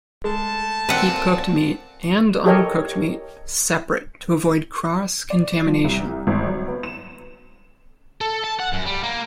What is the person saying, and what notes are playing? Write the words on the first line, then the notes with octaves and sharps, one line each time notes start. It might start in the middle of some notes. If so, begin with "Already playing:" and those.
Keep cooked meat and uncooked meat separate to avoid cross-contamination.
G#3 A3 A5
A#2 C4 B4 F#5
G4 A4 A#4 C#5 D#5
D5
F3
C2
G#1
F#3
B3
E7
A4
A5
F#5
F#2
G3
A#3